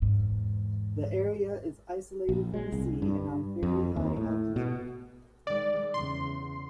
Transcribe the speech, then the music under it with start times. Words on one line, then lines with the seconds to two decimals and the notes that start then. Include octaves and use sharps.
The area is isolated from the sea and on fairly high altitude.
0.02 E2 G#2
2.29 A#1
2.54 G#3
2.72 C2
3.02 G2
3.63 F2
3.96 D#2
4.16 A2
4.56 B2
5.47 D#3 G#3 D5
5.94 E2 C#3 C6